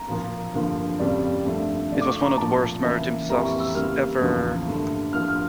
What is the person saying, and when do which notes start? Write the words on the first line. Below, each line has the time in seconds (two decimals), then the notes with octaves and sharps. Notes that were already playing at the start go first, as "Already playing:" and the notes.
It was one of the worst maritime disasters ever.
Already playing: A#5
0.08 A#2 F3 A#3
0.54 G2 D3 F3 A#3
0.99 F2 C#3 G3 A#3 D5
1.45 G2 F3 A3
1.92 C#3 F3 A3 D5
2.01 D6
2.06 C#6
2.22 A#5
2.37 A#2 F3 A3 A5
2.84 C#3 E3 A#3
3.29 F2 E3 G3 A#3 A#5
3.44 C#6
3.60 E6
3.75 C#3 G3 A#3 F6
4.21 E2 C#3 F3 A#3
4.67 G2 D3 A3
5.12 G2 F3 A#3 F6
5.28 F6